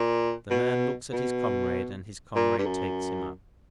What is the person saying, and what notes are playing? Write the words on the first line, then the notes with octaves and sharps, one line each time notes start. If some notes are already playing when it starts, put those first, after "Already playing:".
The man looks at his comrade, and his comrade takes him up.
Already playing: A#2
B2
B2
A#2
G2
F#2